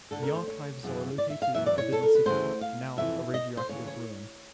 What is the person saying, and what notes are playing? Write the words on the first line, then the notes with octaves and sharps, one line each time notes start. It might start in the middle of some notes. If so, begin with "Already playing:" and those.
The archives are located in the Forbidden City, now a radioactive ruin.
D2 D3 A4
A#4
C5
C#5
F#2 C#3 E3
D5
E5
F5
F#2 C#3 E3 E5
D5
C#5
A4
A#4
B4
D2 C#3 E3 C5
F5
F2 C3 E3 E5
D#5
C5
D2 C#3 E3 C#5
C#5